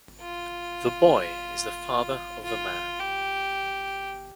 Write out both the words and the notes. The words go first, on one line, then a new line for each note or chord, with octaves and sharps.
The boy is the father of the man.
F4
F4
G4